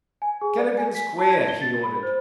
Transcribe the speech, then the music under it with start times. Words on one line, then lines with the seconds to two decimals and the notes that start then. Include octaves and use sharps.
"Cadogan Square," he ordered.
0.22 G#5
0.41 G#4
0.58 D5
0.77 G#5
0.95 B6
1.19 A5
1.30 G#6
1.49 G7
1.62 A6
1.83 B5
2.03 C5